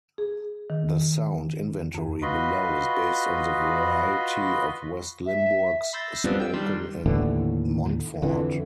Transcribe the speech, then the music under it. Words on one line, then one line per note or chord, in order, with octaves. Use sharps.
The sound inventory below is based on the variety of West-Limburgs spoken in Montfort.
G#4
D#3
F2
F4 F#4 B4 D#5 B5 C6
E5
B5 C6 E6 G6 A6 A#6
F#2 G3 B3 C4 D4 F4
G5 E6
D#3 G3 D4 C6
D#2 A2 D3 E3
F2 D3 E3